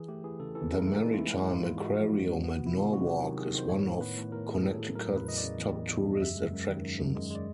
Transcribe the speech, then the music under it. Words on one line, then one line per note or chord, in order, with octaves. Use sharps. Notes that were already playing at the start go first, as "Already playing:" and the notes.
The Maritime Aquarium at Norwalk is one of Connecticut's top tourist attractions.
Already playing: E3 G#4
A3 G4
E3 G#4
C#3 A4
E3 A4
C#3
A#4
A3 A4
E3 D#4
F4
G#3 E4
G#3
E4
G#2 F4
G#2
G#3 F#4
F3
B3
F3
B3
C3
E4
D#3 F4
C3 F#4
F#3 G4
D#3
D#3 G#4
D#3 C5
A2 C#5
A2
B3 B4
A2
A2 A#4
A2
G#4
A2 A4
A2
F#3 A#4
E2
B4
C#3 D#5
D5
C#3
E2
E2
E2
C#3
D#5
F#2 E5
G#3
F#2
D#3
F#2
F#2
G#3
G#3 D5